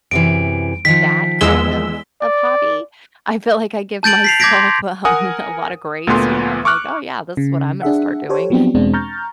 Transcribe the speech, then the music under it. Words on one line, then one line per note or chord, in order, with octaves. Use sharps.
that kind of of hobby. I feel like I give myself, um, a lotta grace when I'm like, "Oh, yeah, this is what I'm gonna start doing."
F#2 C3 E3 D7
D#3 F3 B6
E2 G#3 E6 G7
D5
A5 G6 A6 D7 F#7
B6 C7 F7
D6 G6 G#6 A#6 B6 D7
C6
A#4 F#5 G#5 D#6
D2 A#2 A3 B3 B4 C6
C#6 D6 F6 F#6
C#3
D4 G#4 E5 F#5
G4 A4 C5 C#5
F3 F#3 B3 C4 D4 G4
E2 B2 G#3 C4 D4
A#5 C#6 F6 G6 A6